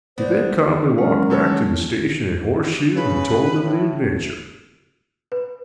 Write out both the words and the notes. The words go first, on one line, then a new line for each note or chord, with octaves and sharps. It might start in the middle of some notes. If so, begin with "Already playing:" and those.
He then calmly walked back to the station at Horseshoe and told of the adventure.
B3 D4 C5
F#3 G#3 C#4 A#4
G3 A4 C#5
C#3 B4
A2
B4